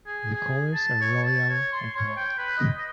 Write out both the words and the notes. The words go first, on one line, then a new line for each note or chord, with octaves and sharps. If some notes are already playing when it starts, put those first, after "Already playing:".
The colors are royal and white.
G#4
G#4
A5
C#5
A5
C#5
C6
C#5
G5
B4
D#5
D#5